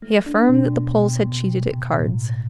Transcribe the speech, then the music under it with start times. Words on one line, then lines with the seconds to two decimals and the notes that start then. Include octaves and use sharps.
He affirmed that the Poles had cheated at cards.
0.02 A3
0.26 D4
0.49 B2
0.73 B2
0.97 B2
1.20 B2
1.44 B2
1.68 B2
1.91 A2